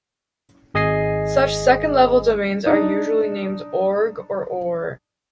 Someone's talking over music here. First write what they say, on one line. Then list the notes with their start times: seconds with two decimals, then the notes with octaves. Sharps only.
Such second-level domains are usually named "org" or "or".
0.74 G#1 G#4 D#5 G#5 D#6 C7
2.66 D4 D#4